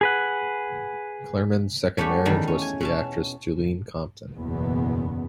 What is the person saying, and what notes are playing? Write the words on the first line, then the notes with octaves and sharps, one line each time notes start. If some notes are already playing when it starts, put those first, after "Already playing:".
Clurman's second marriage was to the actress Juleen Compton.
G#4 B4 F#5
G3 A3 C#4 F#4 G4
E2 D#3 G3
C#4
G#5
B2 C#4 A5
F#1 E2 B2 B3